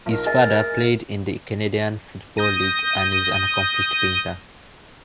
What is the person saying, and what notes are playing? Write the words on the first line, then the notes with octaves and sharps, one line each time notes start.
His father played in the Canadian Football League and is an accomplished painter.
B1 F4 A#4
G#4 D#5 E5 A6
D#6 G6 A#6 D#7